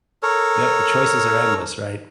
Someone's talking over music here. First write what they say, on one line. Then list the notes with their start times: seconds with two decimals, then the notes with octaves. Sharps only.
Yep. The choices are endless, right?
0.23 A4 A#4 C#5